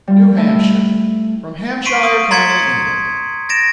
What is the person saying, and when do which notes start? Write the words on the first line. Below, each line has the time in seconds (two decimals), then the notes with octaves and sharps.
New Hampshire--From Hampshire county, England.
0.07 G3 F4
0.37 A3 E4
1.85 C6 C#6 B6 C7 D7 D#7
2.03 D#6
2.31 A#5 C6 G#6 A6 B6 C#7
3.49 A6 A#6 D7 E7